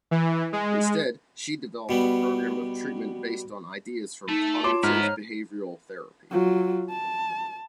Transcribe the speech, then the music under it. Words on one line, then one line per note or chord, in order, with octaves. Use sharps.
Instead, she developed a program of treatment based on ideas from Cognitive Behavioral Therapy.
E3
G#3
B2 G3 B3
A3 D#4 A4
F4 C#5 A5 C6 D6
G#2 B3 E4 A#5 F6
C#5
F#3 F4
A5